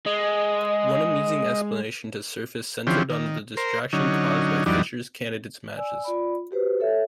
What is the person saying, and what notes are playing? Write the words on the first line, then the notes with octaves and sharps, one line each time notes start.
One amusing explanation to surface centred on the distraction caused by Fischer's Candidates matches.
G#3 D#5
D3 E3 F3 C4 C#4 G4
D#3
A#4 C5
D3 F#3 C#4 D#4
F2 E3 F#3 G3 D4 D#4
D5 G#5 E6
F4 D5 B5
F#4 G4 B4 C5
A4 C#5 E5